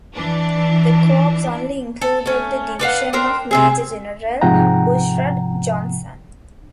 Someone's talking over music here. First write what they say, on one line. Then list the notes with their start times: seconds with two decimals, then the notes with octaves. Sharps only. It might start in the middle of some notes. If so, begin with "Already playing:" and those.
The corps only included the division of Major General Bushrod Johnson.
0.14 E3 D4
2.01 A4
2.26 A3 C#4
2.79 D4 B4 F5 F#5
3.13 D4 A#4 C5 G5
3.51 C3 C4 G#4
4.41 G#2 C3 F3 F#5 G5 A#5